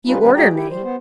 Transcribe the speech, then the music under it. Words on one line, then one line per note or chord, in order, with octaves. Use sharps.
"You order me?"
G3 C#4 D#4 F4 B4
D#3 G3 A#3 C#4 B4
G#3 F#4 G#4 D5 G5 A#5
E4 G4
G3 C5
B3 C5